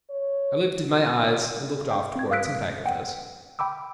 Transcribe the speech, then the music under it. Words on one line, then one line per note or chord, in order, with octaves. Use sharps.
I lifted my eyes and looked off toward St. Agatha’s.
C#5
G5
C4 G#6
F5 D#6 E6 F#6 B6 D7
F#5 G5
G5 B5 D6 E6